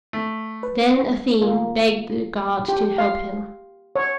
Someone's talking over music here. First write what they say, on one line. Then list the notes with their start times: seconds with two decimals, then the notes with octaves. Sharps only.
Then Athene begged the gods to help him.
0.13 A3
0.63 B4
1.42 A#3
2.68 G4
2.98 F5
3.96 C#5